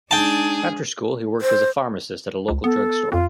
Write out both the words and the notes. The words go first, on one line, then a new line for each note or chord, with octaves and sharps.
After school, he worked as a pharmacist at a local drug store.
G#3 D4 D#4 G#4 G5 A5
C5
C#2
B3 A4
F2 F4